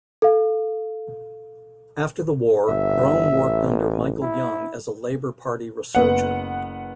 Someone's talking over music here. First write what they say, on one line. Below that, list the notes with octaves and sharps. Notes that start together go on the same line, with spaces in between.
After the war Brome worked under Michael Young as a Labour Party researcher.
A4 F5
G1 E5
A1
E4
F#1 B3 F#5